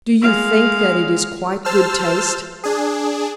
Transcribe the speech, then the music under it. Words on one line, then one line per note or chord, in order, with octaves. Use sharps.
"Do you think that it is quite good taste?"
G#3 F5
C5 A5 E6 F6
D4 G#4